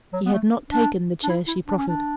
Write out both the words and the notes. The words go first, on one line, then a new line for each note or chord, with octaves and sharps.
He had not taken the chair she preferred.
F#3
B3
A3
D4
D4
E4
E4
D4
C#4
D4